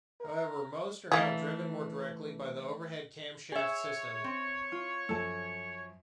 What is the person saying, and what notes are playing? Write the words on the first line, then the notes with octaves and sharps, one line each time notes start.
However, most are now driven more directly by the overhead camshaft system.
A#4
E3 A3 A#3 G#4
G#4 C#5 E5
C4
F4
F#2 F3 A4 A5